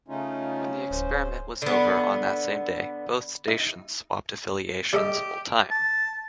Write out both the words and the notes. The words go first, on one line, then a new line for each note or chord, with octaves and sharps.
When the experiment was over, on that same day, both stations swapped affiliations full-time.
C#3 A3 C#4 D#4 F4
D1 C5
D3 B3
D#4
G3 G4 A4 D#5
A5